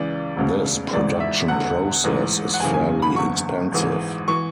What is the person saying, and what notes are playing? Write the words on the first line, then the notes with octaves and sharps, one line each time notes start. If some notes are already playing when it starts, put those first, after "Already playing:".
This production process is fairly expensive.
Already playing: C#2 C#3 E3 D5
E1 D2 C#3
G#1 G#2 E3 D5
E5
E1 E2 D3 F#5
A1 G#2 E3
F#5
F#1 F#2 C#3 E3 G#5
G#5
B5
F#1 E2 D3 C#6
G#1 G#2 E3
E3 C#6